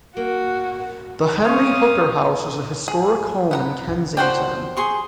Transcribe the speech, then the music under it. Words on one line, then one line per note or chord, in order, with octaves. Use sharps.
The Henry Hooker House is a historic home in Kensington.
A#3 F#4
C#4 C5 F5 G#5 C#6 D#6
G#4
B3 F#5 A#5
F3 F#4 C5 D5 F#5 G5
G#4 C6 C#6